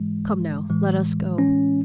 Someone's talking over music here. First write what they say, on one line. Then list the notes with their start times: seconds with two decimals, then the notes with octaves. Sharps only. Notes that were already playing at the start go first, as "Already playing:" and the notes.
"Come now, let us go."
Already playing: G#2 E3 G#3
0.70 A2 E3 G#3
1.38 C#4